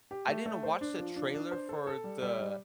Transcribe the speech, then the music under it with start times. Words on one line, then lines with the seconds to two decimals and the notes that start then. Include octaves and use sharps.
I didn't watch the trailer for the
0.11 G4
0.28 A3
0.46 A3
0.63 C5
0.81 D4
0.98 F3
1.16 D4
1.34 D4
1.51 C5
1.69 A4
1.87 A4
2.04 G3
2.22 G3
2.40 G3